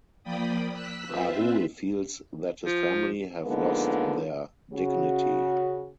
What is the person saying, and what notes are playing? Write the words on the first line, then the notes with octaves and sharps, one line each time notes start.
Rahul feels that his family have lost their dignity.
F3 A#3 D5 G5 B5 D#6
E6 F#6 B6
C4 F4 B4 C5 E5
F3
D3 F3 G#3 A#3 B3 D#4
C#3 F#4